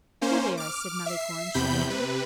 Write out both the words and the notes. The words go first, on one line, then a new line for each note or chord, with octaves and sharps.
"Here they are," said Malicorne, showing them.
A#3 C#4 C5
D6 F6
E5 C7
E2 C3 B5 G6
C3 B4